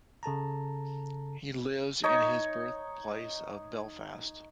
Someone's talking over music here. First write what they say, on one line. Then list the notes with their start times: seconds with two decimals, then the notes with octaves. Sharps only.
He lives in his birthplace of Belfast.
0.23 C#3 A4 A5 A#5
2.04 D#4 C#5